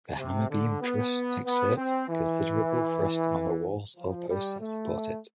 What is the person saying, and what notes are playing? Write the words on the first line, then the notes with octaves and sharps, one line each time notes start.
The hammerbeam truss exerts considerable thrust on the walls or posts that support it.
C3
D3
B3
B3
C4
E3
F3
G3
A3